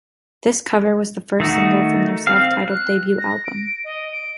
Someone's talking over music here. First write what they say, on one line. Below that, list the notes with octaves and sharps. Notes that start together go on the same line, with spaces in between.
This cover was the first single from their self-titled debut album.
D#3 A3 D#4 F#4
C4 F5
F#6
A#6
D7
D#5
D7